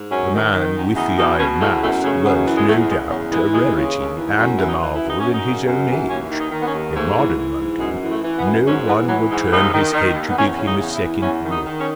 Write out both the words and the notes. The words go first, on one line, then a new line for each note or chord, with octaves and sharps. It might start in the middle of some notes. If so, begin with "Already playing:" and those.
'The Man with the Iron Mask' was, no doubt, a rarity and a marvel in his own age: in modern London no one would turn his head to give him a second look!
Already playing: G#2
F#2 C#4
D#3
D#3
F#2
E2 D#4
B2 D#4
B2 C#4
E2 A3
F#2 A3
C#3 A3
F#2 B3
E3
G#3
E2 A3
C#3 G#3
E2 F#3
E3 G#3
D#2 G#3
C#3
D#2
E3
F#2 A3
E3 E4
D#4
E3
E4
F#2
D#4
F#2 C#4
D#4
C#3
F#2
E3
D#2 C#4
D#3
D#4
D#3
B3
C#4
D#2
G#2 A3
E3
E3
G#2
F#2 G#3
E3
A3
E3
B3
F#2
G#2 C#4
E3 B3
E3 F#3
G#2 G#3
D#2 D#4
D#3
D#3
D#2
B3
E2 C#4
C#3 C#4
D#4
E2
E4
E3
E2 C#4
D#3
D#4
D#3
C#4